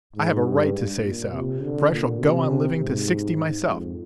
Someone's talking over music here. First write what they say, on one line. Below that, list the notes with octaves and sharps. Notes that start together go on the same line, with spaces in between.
I have a right to say so, for I shall go on living to sixty myself.
G#2
G2
A#2
C3
D3
A#2
C3
G#2
F2